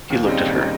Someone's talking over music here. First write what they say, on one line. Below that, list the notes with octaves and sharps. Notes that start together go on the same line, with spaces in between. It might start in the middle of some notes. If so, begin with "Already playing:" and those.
He looked at her.
D#2
C#3 G3 C4 D#4
D#2
C#3 G3 C4 D#4